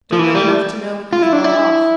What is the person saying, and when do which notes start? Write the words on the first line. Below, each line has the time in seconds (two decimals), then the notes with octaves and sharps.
Don't know enough to know when he's well off.
0.13 F3
0.19 E3
0.35 G3
1.13 F4
1.22 E4
1.33 D4
1.44 E4